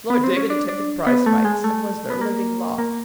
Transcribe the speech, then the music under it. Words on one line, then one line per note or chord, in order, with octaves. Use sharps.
Lord David attended prize-fights, and was their living law.
B3
C4
C#4
D4
D4
B3
A3
G#3
A3
B3
A#3
A#3